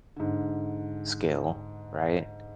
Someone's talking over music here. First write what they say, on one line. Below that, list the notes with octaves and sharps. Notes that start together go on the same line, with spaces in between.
skill, right?
G#2 D3